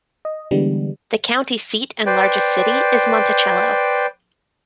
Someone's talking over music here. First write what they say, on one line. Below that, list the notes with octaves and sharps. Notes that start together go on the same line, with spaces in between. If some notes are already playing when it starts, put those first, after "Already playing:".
The county seat and largest city is Monticello.
D#5
D3 E3 G3 G#3 B3
B4 C5 D5 G5